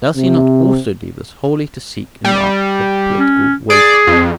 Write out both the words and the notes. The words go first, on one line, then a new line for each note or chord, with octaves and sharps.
Does he not also leave us wholly to seek in the art of political wagering?
C3
G3
C#4
G#4 D5
F2